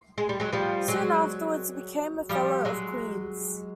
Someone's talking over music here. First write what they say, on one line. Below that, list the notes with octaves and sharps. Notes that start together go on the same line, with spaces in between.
Soon afterwards he became a Fellow of Queen's.
G#3
G3
F#3 G#3
F3 G3
F#3 G#3
F3 G3
F#3 G#3